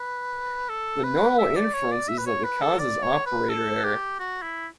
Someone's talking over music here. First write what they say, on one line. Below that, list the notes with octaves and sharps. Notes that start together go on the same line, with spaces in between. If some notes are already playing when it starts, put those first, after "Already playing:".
The normal inference is that the cause is operator error.
Already playing: B4
A4
B4
E5
D5
C#5
D5
E5
B4
C#5
B4
A4
D5
C#5
B4
A4
G4
F#4
E4